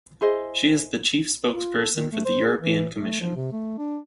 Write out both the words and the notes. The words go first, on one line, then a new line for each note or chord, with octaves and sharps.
She is the chief spokesperson for the European Commission.
E4 G#4 C5 D#5
F4
A4
D#3
A3
C5
G#4
E3
A3
F3
C3
A3
D4